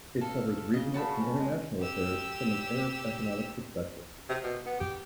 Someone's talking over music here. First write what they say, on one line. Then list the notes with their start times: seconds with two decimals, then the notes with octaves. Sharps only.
It covers regional and international affairs from an Arab economic perspective.
0.21 A4 F5
0.74 C#3 D#5
0.94 C#3 F#4 A5 B5
1.20 C#4
1.38 G#3
1.80 G4 E6
4.30 C3
4.43 B2
4.66 B3
4.80 G4